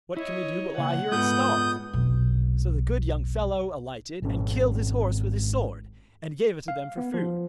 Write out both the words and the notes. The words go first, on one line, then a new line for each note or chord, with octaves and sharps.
What can we do, but lie here and starve?' So the good young fellow alighted and killed his horse with his sword, and gave it to them for food.
E4 C#5 D#5
C#3 A#3 F#5
G#2 G#3 B3 F4 A4 D#6 G6
F1 B1
G#1 C#4
F5
B3
F3